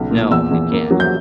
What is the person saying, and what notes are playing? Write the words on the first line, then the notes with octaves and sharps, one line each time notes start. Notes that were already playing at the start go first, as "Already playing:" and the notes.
No, it can't.
Already playing: B1 C#3
A#2
E2 E6
E2
A#3
F#3
G6